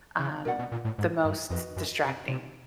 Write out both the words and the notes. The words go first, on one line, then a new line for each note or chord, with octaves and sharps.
um, the most distracting.
C#3
B2 A#4 D5 F#5
B2
A#2
A2
G#2
G2
F2 F#4 B4 D#5
F#2
C3
C3